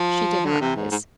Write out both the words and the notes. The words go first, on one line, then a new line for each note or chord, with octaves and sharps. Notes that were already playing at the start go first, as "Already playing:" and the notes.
She did not rise.
Already playing: F3
D3
C3
G#2
G#2